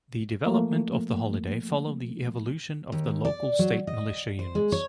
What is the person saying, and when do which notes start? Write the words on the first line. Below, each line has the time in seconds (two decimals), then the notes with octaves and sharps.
The development of the holiday followed the evolution of the local state militia units.
0.46 F3 A3 A#3
2.92 D#2
3.25 D5
3.59 F#3
3.87 D#5
4.39 C5
4.55 G#3
4.72 C#5